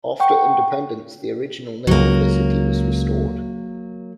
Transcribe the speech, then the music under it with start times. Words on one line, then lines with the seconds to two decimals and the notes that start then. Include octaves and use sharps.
After independence the original name of the city was restored.
0.20 F#5 G5 C#6
1.87 C#2 F#3 A#3